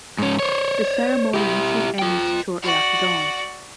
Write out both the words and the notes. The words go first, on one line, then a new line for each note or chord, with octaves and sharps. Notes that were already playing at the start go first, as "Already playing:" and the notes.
This ceremony usually ends shortly after dawn.
G#2 C#4
C5 C#5
E4 G4
F4 G5
F#4 D5